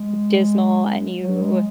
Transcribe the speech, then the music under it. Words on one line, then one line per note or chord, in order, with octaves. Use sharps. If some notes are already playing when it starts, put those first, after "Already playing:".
dismal and you
Already playing: G#3
F#3
G#3